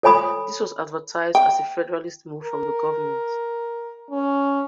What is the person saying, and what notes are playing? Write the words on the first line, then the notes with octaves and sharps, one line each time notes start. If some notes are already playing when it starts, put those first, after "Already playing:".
This was advertised as a federalist move from the government.
A4 C#5 G#5 B5 D#6
G5
A#4
C#4